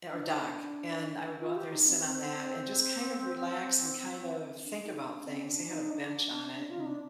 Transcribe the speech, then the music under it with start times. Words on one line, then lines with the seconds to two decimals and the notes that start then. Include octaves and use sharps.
or dock, and I would go out there and sit on that and just kind of relax, and kind of think about things. They had a bench on it and,
0.12 D4
0.25 D#4
0.38 D4
1.40 F4
1.56 G4
1.72 D#4
1.88 C4
2.04 C4
4.62 D4
4.83 D#4
5.04 D4
5.26 C4
5.47 D4
5.69 D#4
5.90 D4
6.54 D4
6.70 F4
6.80 D#4
6.86 D4